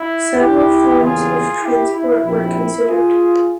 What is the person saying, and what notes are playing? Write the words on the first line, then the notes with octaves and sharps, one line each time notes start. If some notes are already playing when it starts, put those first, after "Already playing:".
Several forms of transport were considered.
Already playing: E4
E4 G4
E2 C#3 G3 A#3 F4 G#4
E4 G4
E4
A#1 A#2 G3 C4 E4
F4 G#4